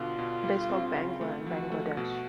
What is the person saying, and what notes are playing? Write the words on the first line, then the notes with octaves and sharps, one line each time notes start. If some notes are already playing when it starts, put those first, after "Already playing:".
They spoke Bangla in Bangladesh.
Already playing: B2 D3 F4
B2
G3
C4
C#3
A3
F3 F#4
A3
B2 F#4